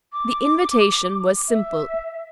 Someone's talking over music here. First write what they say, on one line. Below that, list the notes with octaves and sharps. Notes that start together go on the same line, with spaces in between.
The invitation was simple.
D6
E5